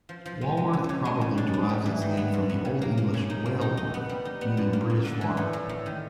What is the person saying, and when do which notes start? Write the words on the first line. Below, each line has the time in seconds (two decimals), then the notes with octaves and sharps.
Walworth probably derives its name from the Old English "Wealhworth" meaning British farm.
0.09 F3
0.26 F3
0.41 G#3
0.57 G#3
0.73 C#3
0.89 C#3
1.05 G#3
1.21 C#3
1.38 D4
1.54 D4
1.69 G3
1.86 E3
2.02 D#3
2.17 B3
2.33 G#2
2.49 B3
2.65 C#3
2.82 A#3
2.97 A#3
3.14 C#3
3.30 D#4
3.46 A#3
3.61 D#4
3.77 D#4
3.94 B3
4.09 G3
4.25 D#4
4.41 B3
4.57 F#2
4.73 A#3
4.90 A#3
5.05 D3
5.21 E3
5.37 A2
5.53 A2
5.69 A2
5.86 D#3